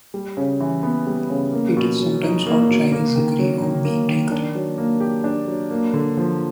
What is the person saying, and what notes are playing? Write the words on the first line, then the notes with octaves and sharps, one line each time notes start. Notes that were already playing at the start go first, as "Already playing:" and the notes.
It is sometimes called Chinese hickory or beaked hickory.
G3
C#3
E3
B3
G3
C#3
A#3
B2
F#3
D#4
A#3
B2
A#3
D#3
F#3
D#3
A#3
D#3
D4
F#3
A#3
G4
D4
F#3
A#3
D3
F3